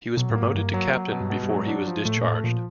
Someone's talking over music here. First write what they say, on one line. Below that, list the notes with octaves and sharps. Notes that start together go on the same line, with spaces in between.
He was promoted to Captain before he was discharged.
B2 F#3
A2
A#3
G#2
G2 A#3
F#3
F#3
B2
G2
G#2 B2
G2
F#3
G#2
D4
F3
A2 A3
A#2
A2 A3
A#2 F3